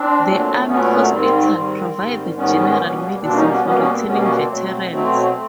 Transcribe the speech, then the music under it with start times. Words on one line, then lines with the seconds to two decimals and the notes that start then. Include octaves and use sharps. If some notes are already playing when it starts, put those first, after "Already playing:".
The Army hospital provided general medicine for returning veterans.
Already playing: C4 D4
0.25 A#2 F#3 A3
0.68 A#2 F#3 A3 B3 C#4
1.10 G#2 D#3 G3 C4
1.52 G#2 D#3 G3
1.95 G#2 D#3 G3
2.36 G#2 D#3 G3 B3 C#4
2.79 B2 G3 A#3
3.21 B2 G3 A#3 C4 D4
3.35 C#4 D#4
3.50 B3 C#4
3.63 B2 G3 A#3 B3 C#4
3.78 B3 C#4
3.93 C4
4.06 B2 G3 A#3 B3 C#4
4.20 B3 C#4
4.35 C4
4.49 B2 F#3 A3
4.91 B2 F#3 A3 C4
5.33 A3